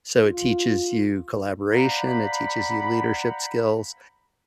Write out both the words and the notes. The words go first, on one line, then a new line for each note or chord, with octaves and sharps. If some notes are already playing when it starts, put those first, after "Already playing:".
So, it teaches you collaboration, it teaches you leadership skills.
F4
C5 D5 F5 F#5 A#5 B5